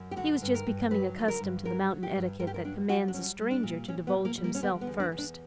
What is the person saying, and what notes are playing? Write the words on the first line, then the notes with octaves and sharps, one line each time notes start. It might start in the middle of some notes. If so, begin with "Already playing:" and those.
He was just becoming accustomed to the mountain etiquette that commands a stranger to divulge himself first.
Already playing: F#2
G4
D3 F#4
G2
A#4
G2
F#3 B4
D3
A#4
G2
F#3 A#4
F#3
G4
G2
G2 A#4
G4
A#4
F#3 D4
F#3 F#4
D4
G3 C#4
G3
D4
A#2
A#2 C#4
B3
G3
A#3
G3
A#3
C#4
D3 B3
B3
E2
D4
E2
D4